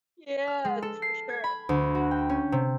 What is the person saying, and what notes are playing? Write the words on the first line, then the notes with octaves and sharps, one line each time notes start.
Yeah, it's for sure.
F6
G#3
A4
C7
G#6
B5
D2
F#4
G5
C#4
C3